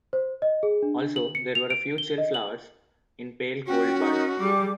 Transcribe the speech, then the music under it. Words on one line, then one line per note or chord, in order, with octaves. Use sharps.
Also, there were a few chill flowers, in pale cold bud.
C5
D#5
G#4
D4
F#7
C#7
F7
D7
G7
D#5
F#7
C#4 F#4 G5
D#4 A#4
G3 G4 G#4 D6